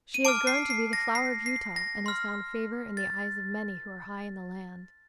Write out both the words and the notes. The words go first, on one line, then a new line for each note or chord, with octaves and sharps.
"She has grown to be the flower of Utah, and has found favour in the eyes of many who are high in the land."
D#7
A5 D6 F6 D7
C7
C7
A#6
C7
C7
A#6
C6 F6
A6